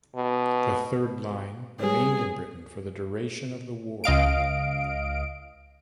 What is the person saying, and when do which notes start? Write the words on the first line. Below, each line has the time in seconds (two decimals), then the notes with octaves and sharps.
The third-line remained in Britain for the duration of the war.
0.16 B2
1.81 G3 G#4 B4 C#5
4.04 C#2 D#5 F5 D7